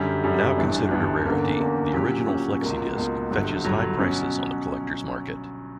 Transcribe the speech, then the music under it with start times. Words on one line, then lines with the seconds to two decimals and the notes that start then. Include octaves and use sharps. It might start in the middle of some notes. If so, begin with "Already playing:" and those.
Now considered a rarity, the original flexi-disc fetches high prices on the collectors' market.
Already playing: F#2 D3 G3 C#4
0.23 F#2 D3 G3 C#4
0.57 G1 G2 E3 B3 D4
0.91 G1 G2 E3 B3 D4
1.25 E2 D3 A#3 C#4
1.60 E2 D3 A#3 C#4
1.93 A#2 F#3 C#4 G4
2.27 A#2 F#3 C#4 G4
2.62 C#2 B2 A#3
2.96 C#2 B2 A#3
3.30 G1 G2 D3 F#3
3.65 G1 G2 D3 F#3
3.99 B2 F#3 C#4